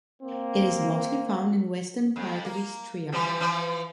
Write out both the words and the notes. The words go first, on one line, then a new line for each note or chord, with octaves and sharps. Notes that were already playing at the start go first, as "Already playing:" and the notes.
It is mostly found in western part of Istria.
A#3 C4
F2
A#3
E3 F3 G3
E3 F3